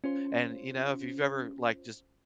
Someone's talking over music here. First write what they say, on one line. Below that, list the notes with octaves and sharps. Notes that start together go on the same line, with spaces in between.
and, you know, if you've ever, like, just
C#4 F4 C5